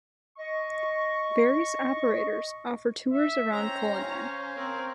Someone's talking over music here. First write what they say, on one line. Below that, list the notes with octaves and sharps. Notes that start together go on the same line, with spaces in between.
Various operators offer tours around Cullinan.
D#5 C#6
E5
C#4 C5 G5 A#5
F5 G#5 C#6
C4 A#4